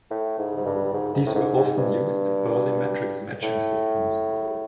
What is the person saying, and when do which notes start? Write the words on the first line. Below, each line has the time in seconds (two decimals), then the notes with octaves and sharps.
These were often used in early matrix-matching systems.
0.10 A2
0.38 G#2
0.56 G#2
0.66 G2
0.93 G#2
1.14 G#2
1.26 A2
1.35 G#2
1.56 G#2
1.76 G2
3.42 A2